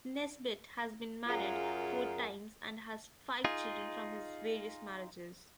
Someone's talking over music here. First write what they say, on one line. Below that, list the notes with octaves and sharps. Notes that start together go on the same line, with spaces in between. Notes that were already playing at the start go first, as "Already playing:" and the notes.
Nesbitt has been married four times and has five children from his various marriages.
F#2 F4 G#4 A#4
D#4 F4 G#4